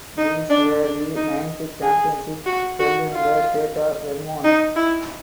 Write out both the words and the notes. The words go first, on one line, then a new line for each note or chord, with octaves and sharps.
These were the ninth championships held in the state of Vermont.
D#4
D4
D4
D#4
G#4
F#4
F#4
F4
D#4
E4